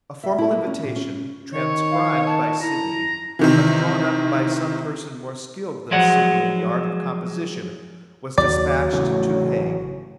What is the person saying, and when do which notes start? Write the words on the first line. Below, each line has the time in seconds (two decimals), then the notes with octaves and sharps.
A formal invitation, transcribed by Sidney but drawn up by some person more skilled than Sidney, in the art of composition, was despatched to the Hague.
0.23 E5
0.38 E4
0.51 A#3
0.67 C#4
0.84 A#2
0.96 C#4
1.53 D#3 C#5
1.91 F5
2.26 A5
2.61 E4 A#5
3.39 C3 D#3 E3
5.91 F3 F#3 G#3 D5 F#5
8.38 D#2 F#3 D5
8.92 A1 C#3 A3